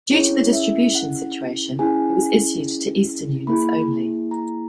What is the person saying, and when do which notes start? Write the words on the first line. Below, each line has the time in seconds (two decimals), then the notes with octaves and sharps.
Due to the distribution situation, it was issued to eastern units only.
0.11 C#4 E4 G#4 C#5
0.53 E5
0.95 F#5
1.79 C#4 E4 G#4 G#5
3.47 A#3 E4 G#4 B5
4.31 A#5